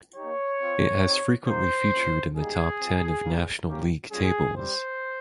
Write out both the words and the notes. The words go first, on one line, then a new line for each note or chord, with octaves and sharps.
It has frequently featured in the top ten of national league tables.
A#3 D#4 G4 C#5
C4 F4
C4 D#4 G4
A#3 D#4 G4 C5
A#3 C#4 F4
G3 A#3 D#4 G4 G#4
C4 F4
G3 A#3 F4
A#3 C#4 G4
G3 C#4 F4 G#4
G3 C4 G4 C5